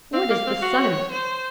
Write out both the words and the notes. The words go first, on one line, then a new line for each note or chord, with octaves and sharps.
What is the sun?
C4 F5
A#3
C4
F#4
C#5
C5